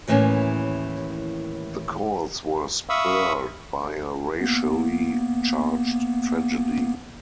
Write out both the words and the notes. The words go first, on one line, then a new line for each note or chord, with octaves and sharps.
The calls were spurred by a racially charged tragedy.
D#2 A2 E3 A#3 C#4
E5 F5 B5 C#6 D#6 E6
A#3 B3